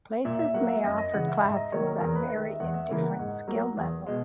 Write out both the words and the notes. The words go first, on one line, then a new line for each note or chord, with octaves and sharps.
Places may offer classes that vary in different skill level.
A#2 E5
E5
F#3 A#3 F#5
E5
F#2 D#5
D#5
C#3 E3 G#3 F#5
E5
G#2 E5
D#5
D#3 F#3 A#3 C#5
A#4
E2 A#4
B4
D#3 G#3 D#5
E5
E2 F#5
E5
C#3 E3 A#3
F#5
G#2
F#3 A#3
E2
B2 G#3